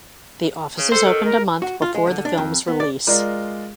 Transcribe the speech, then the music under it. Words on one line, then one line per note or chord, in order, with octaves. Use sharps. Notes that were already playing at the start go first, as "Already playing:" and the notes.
The offices opened a month before the film's release.
C#3
A4 C5
D#3
A#4
F#4
F4
G#3
D3
D4
F2
B3
D5
G#3 F4 A#4 D5